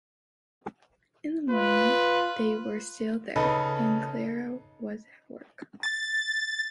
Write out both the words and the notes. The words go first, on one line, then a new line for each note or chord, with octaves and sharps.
In the morning they were still there, and Clara was at work.
F4 B4
C#3 D#4 A4 B4
A6